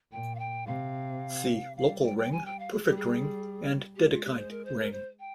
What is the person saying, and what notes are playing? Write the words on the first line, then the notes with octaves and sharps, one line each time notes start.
See local ring, perfect ring and Dedekind ring.
A#2 G5
F5
G5
C3 F5
G3 F5
G5
G5
G#5
G5
F5
G#4
G3 G4
G#4
G#3 G4
F4
G4
A#4
C5
A#4
C5
A#4
C5
G5